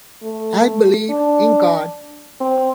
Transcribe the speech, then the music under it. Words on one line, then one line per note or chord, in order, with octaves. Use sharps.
I believe in God.
A3
D4
C4